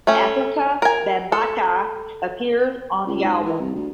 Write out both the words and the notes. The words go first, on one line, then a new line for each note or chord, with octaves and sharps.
Afrika Bambaataa appears on the album.
A3 C#4
A#4 G#5
A4
C#2
G#2
E3
C2
D2